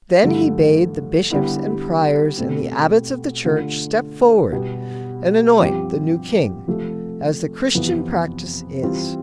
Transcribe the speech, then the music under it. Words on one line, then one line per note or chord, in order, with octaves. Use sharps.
Then he bade the bishops and priors and the abbots of the Church step forward and anoint the new King, as the Christian practice is.
G2 D3 F3 A3
D3 G3 B3 E4
B2 A3 C4 G4
D3 A3 D4 F4
B2 G3 B3
G2 F3 C4 G4
C3 F3 A3
F2 C3 E3 B3 F4
E3 G3 C4 F4